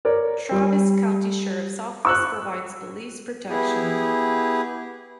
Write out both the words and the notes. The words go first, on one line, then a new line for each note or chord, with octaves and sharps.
Travis County Sheriff's Office provides police protection.
A#4 C#5 D5
G3
C#6 E6 F#6
B3 E4 G4 G#4